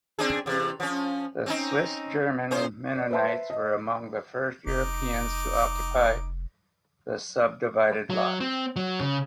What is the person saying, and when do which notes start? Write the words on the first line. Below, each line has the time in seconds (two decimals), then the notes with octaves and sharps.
The Swiss-German Mennonites were among the first Europeans to occupy the subdivided lots.
0.19 C4 D4 G#4
0.46 E2 C3
0.80 F3 C#4
1.46 C4 C#4 D#4
2.51 A2 C#4 C5
2.96 D5
3.11 B4 C5 E5 A5 C6
3.50 D#5
4.67 F1 D#4 D6
8.10 F#3
8.40 C4
8.76 F#3
9.00 C#3